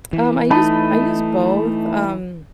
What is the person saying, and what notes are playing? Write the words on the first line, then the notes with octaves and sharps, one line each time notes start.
Um, I use b I use both, um,
E3
A3 D#4 D#5 A5 B5